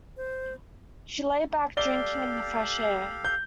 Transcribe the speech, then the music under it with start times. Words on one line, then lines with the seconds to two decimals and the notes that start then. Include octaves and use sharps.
She lay back, drinking in the fresh air.
0.17 C5
1.77 G4 A4 D5 F5 G7
3.25 G6